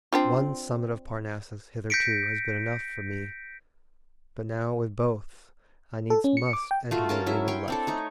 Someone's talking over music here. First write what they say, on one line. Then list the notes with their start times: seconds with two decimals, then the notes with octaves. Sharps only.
One summit of Parnassus hitherto Has been enough for me, but now with both I needs must enter the arena left.
0.13 C4 D4 F4
1.90 G6 A#6 B6 C#7 D7
6.10 A4
6.24 C#4
6.37 C#7
6.53 D6
6.71 G5
6.91 A3 F4 F#4
7.09 C#4 A#4 A5
7.27 F#3 E4 E5
7.48 C#5 G5 C6
7.68 C4 D4 A4
7.87 A3 D#4 C#5